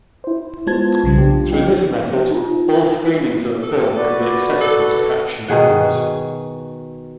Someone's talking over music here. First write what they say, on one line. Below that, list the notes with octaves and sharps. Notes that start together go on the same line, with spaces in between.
Through this method, all screenings of a film can be accessible to caption viewers.
E4 C5
G#3 B3 F4 C5 A5 G#6
B1 C#3 F3 G3
D4 F4 G4
F3 B3 D#4 G4
D#4 F4
A4
F#4 B4 D5
A4
B2 D#3 G#4 F#5